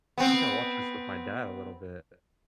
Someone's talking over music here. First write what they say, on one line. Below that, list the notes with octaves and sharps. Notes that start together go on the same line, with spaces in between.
think I watched this with my dad a little bit,
B3 C4